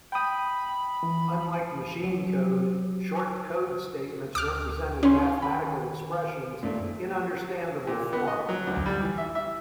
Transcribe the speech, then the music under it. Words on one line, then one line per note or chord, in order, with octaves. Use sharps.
Unlike machine code, Short Code statements represented mathematical expressions in understandable form.
G5 B5 D#6
E3
F#3
D2 D6 F6
C#4 C#5 G#5 C6
D#3 B5
F#2 A#2 A3
A#2
B3
D#5
F#3
D2
G3
E3
E5
E5